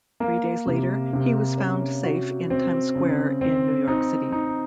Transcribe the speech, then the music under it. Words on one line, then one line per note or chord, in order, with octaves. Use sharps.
Three days later, he was found safe in Times Square in New York City.
A#3
C3
C3
C#4
F#4
C4
C#3
C4
D#4
D#4